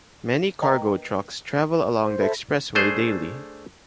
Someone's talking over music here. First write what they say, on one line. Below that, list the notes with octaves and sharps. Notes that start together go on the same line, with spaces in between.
Many cargo trucks travel along the expressway daily.
A#3 B4 D#5 G5 A#5
C5
A4 E5 B5
A3 D4 G#4 C5